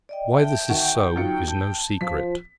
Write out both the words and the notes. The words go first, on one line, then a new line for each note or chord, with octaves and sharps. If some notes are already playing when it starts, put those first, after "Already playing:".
Why this is so is no secret.
D5 D#5 G5
E5 G5 A5
D#3 F#4
F#3 D#4 F4 F#4 C#7
A5 G6
F3 B6